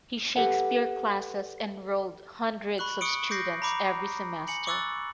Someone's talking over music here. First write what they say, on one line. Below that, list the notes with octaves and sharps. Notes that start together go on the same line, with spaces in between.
His Shakespeare classes enrolled hundreds of students every semester.
G4 A4 B4 F#5
B5 C#6 F#6 F#7
C#6 D#6 C#7 D7
D6 G6 A#6 C7
A#5 B5 D6
G#5 C#7 F#7
C#6 D6 E6 F#6 A6